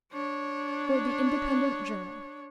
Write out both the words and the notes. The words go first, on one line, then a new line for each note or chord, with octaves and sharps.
For the Independent Journal.
D4 C#5